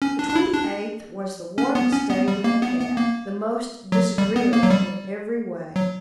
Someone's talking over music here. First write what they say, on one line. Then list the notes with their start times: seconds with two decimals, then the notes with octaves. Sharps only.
The twenty-eighth was the warmest day we have had, the most disagreeable in every way.
0.02 C#4
0.19 D4
0.30 D4
0.36 E4
0.54 D4
1.58 C#4
1.75 B3
1.93 C#4
2.10 B3
2.28 G3
2.44 A#3
2.62 B3
2.80 B3
2.97 A#3
3.92 F#3
4.18 G3
4.36 B3
4.53 A#3
4.63 F#3
4.70 G3
5.76 F#3